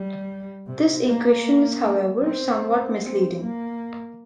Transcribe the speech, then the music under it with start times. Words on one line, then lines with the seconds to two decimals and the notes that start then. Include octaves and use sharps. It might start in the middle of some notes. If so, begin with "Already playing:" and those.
This equation is however somewhat misleading.
Already playing: G3
0.67 C3
1.06 A#3
2.23 C4
3.02 C4
3.41 A#3